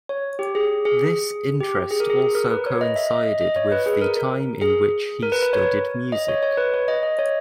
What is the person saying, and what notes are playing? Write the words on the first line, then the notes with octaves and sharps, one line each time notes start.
This interest also coincided with the time in which he studied music.
C#5
G4
G#4
G#4
G4
G#4
A#4
G#4
G#4
A#4
B4
C#5
D#5
E5
D#5
D#5
C#5
B4
G#4
A#4
A#4
G#4
A#4
B4
B4
C#5
D#5
C#5
C#5
B4
C#5
D#5
D#5
C#5